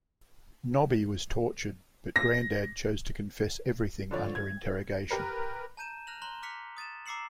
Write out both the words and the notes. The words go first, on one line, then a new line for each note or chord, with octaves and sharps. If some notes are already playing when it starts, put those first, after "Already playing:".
Nobby was tortured but Grandad chose to confess everything under interrogation.
A#6
D3 F3 C#5 D5
G#6
G4 A#4 B4
A5 A#5 G6 D#7 E7
F6 F#6 A#6 F7 F#7
A#5 C6 F#6 G7
D6 F6 F#6 B6 C#7 F7
D#6 A6 D#7 E7
A#5 D6 E6 C7 C#7 F#7